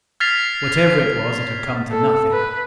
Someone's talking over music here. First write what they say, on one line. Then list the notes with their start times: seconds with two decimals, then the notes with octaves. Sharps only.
Whatever it was, it had come to nothing.
0.20 F6 G#6 A6 B6 C7 F7
1.90 A4
2.32 B4